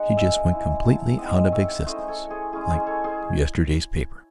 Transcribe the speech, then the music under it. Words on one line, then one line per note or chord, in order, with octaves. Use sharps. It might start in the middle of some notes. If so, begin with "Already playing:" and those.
She just went completely out of existence, like yesterday's paper.
Already playing: G#3 D#4 F#5
E5 G#5
G#3 C#4 E4
F#5 A5
G#3 C4 D#4 D#5 F#5
C#5 E5
A3 C#4 E4 C5 D#5
A4 C#5
G#4 C5
G#3 C#4 E4 G#4
G#4 C5
A4 C#5
G#4 C5